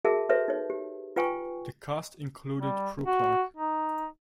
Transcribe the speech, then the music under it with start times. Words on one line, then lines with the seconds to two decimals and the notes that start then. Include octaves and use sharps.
The cast included Prue Clarke.
0.05 F#4 G#4 A#4 E5 A5
0.29 F#4 A4 B4 C#5 E5
0.48 D#4 C#5
0.70 G4
1.16 F4 B4 G5 G#5 C#6
2.60 G3
3.06 F#4
3.57 D#4